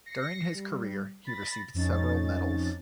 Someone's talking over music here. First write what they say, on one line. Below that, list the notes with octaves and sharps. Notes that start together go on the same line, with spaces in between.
During his career, he received several medals.
A#6 C7 C#7
G3
B5 A6 A#6
F2 F3 C#4 D#4 A6